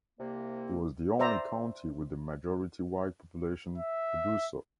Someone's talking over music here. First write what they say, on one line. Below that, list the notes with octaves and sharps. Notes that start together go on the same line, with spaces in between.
It was the only county with a majority white population to do so.
C2 C3 A#3
C5 D5 E5 A#5
E5